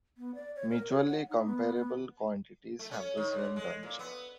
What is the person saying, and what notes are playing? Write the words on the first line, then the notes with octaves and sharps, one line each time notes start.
Mutually comparable quantities have the same dimensionality.
B3
D5
C#5
A#4
C#5
F#5
D#4
B3
B3
A3
C#4
D#3
D3
G#3
A#2
B3